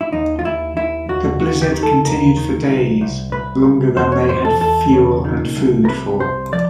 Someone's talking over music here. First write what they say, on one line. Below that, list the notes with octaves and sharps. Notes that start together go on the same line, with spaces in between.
The blizzard continued for days, longer than they had fuel and food for.
E4
D#2 D#4
F4
D#2 E4
D#2 E4
D#2 F#4
D#2 F#4
G4
D#3
A4
D#2 A#4
D#3
C2
C2
C2 B4
C2
E2 C5
C#5
C#5
E3 C5
A4
E2 A4
C#3
D#3
C2
A#4
C3 B4
C2 C5
F3 D5